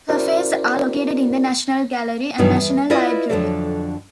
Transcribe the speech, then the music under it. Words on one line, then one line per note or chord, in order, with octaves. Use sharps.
Cafes are located in the National Gallery and National Library.
C#4 E4 F#4 A#4 C5 D5
G2 B2 D#3 E3 F#3
E2
E4 F4 B4 D5 D#5
F2 D3 E3 F#3 A4 D5